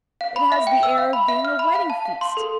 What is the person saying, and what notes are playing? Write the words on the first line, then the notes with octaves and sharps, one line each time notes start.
It has the air of being a wedding feast.
F5
B5
E5
G5
E6
F5
B5
E5
F6
B5
F5
A5
F5
C6
A4